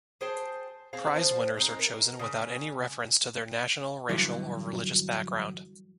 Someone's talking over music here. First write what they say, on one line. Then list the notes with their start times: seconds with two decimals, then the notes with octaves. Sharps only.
Prize winners are chosen without any reference to their national, racial or religious background.
0.21 G#4 C5 G5 A5
0.93 C4 G#4 F5
1.16 F3 C5
1.57 G#3 C4 D#4
1.79 A#4
2.19 C#3 D5
4.09 G2 D3 E3 F#3